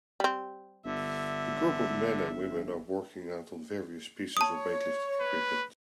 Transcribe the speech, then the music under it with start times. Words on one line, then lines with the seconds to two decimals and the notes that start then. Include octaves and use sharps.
A group of men and women are working out on various pieces of weightlifting equipment.
0.20 G3 C4
0.86 G1 D3 E5
4.37 C#5 A5 D#6
5.20 B4